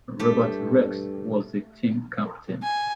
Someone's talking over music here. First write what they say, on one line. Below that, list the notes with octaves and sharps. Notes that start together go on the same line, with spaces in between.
Robert Rex was the team captain.
G2 A3 G4
G#5